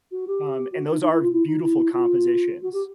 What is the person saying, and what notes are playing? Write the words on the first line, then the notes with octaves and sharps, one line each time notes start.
Um, and those are beautiful compositions.
F#4
G4
F#4
D#4
D#4
E4
F4
E4
D#4
E4
F4
F#4
G4